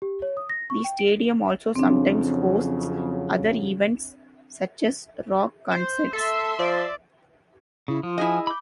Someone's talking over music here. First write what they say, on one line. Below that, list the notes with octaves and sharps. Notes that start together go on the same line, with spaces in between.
The stadium also sometimes hosts other events such as rock concerts.
G4
C#5
D#6
A#6
C#6
G5
D7
F2 C#3 F#3 C4 D4
C5
A4 E5 C6
F3 D5
C#3 E4
F3 F4
E4 G#4 D#5 G#5
B5 D6 G6